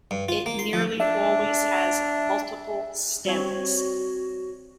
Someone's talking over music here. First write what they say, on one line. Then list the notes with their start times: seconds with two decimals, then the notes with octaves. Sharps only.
It nearly always has multiple stems.
0.11 G2
0.29 F4
0.46 A#3
0.59 C6
0.73 F3
1.00 D4 E5
3.25 G3 C4 F#4 C#5